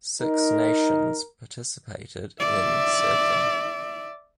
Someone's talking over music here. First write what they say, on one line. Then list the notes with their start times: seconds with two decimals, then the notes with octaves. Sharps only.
Six nations participated in surfing.
0.22 D#4 A#4
2.40 D5 E5